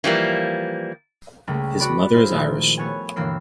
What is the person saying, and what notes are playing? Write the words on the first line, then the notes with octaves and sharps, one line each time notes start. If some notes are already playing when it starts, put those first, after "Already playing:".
His mother is Irish.
E3 F3 G3 A#3
C#2 C#3 G3 A3 A#3
F#4 B4 D5 B5
E4 F4 G#4 C5
A#2 D#3 F3 G#3 A3
A3 B3 C#5 F#5 G#5
G1 B2 E3 A#3 E6 C7